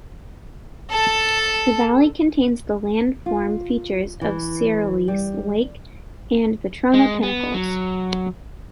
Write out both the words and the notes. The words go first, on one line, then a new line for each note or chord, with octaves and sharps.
The valley contains the landform features of Searles Lake and the Trona Pinnacles.
A4 A5
F4
E3
G3
G#3
B3
F#3